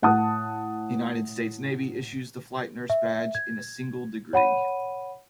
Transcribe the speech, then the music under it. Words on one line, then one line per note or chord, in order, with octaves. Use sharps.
The United States Navy issues the Flight Nurse Badge in a single degree.
A2 F#5 A5 D#6
E5
G#6
C#5 F#5 B5 D#7